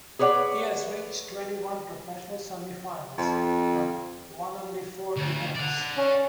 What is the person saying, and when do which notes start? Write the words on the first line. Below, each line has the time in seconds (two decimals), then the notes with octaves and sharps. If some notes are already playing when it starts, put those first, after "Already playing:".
He has reached twenty-one professional semi-finals, but won only four events.
0.19 G#4 B4 C#5 D5 F#5
3.18 F2
5.16 D2
5.55 D5 F#5
5.97 C#4